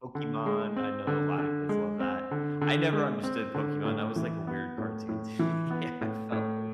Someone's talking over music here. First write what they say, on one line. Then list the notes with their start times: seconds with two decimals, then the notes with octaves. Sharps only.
Pokemon, I know a lotta kids love that. I never understood Pokemon, that was, like, a weird cartoon to me, I felt like
0.15 D3
0.46 G#3
0.76 C4
1.07 D3
1.38 D3
1.69 G#3
2.00 C4
2.31 D3
2.61 D3
2.93 G#3
3.23 C4
3.54 D3
3.85 A2
4.16 E3
4.47 B3
4.78 A2
5.09 A2
5.39 E3
5.70 B3
6.01 A2
6.32 A2